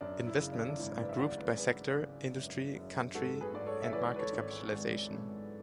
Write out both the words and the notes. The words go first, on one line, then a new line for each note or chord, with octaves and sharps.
Investments are grouped by sector, industry, country, and market capitalization.
F#2 D4
E4
C#3
D4
D4
G#1 E4
B4 D5
E5
E3 D5 F#5
B4 D5
C#3 G#4 B4
C#3
F#2
F#2
G#2 F#4 A4
G#4 B4
G#2 D5
A4 C#5
E5
E3 B4 D5
B4
A4 C#5
G#1
G#1
G#1